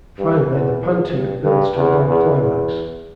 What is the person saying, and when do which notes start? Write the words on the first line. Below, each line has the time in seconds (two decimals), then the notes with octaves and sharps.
Finally the pant-hoot builds to a loud climax.
0.18 G2
0.50 E2
0.81 E2
1.12 G2
1.43 G2
1.75 E2
2.07 E2
2.38 E2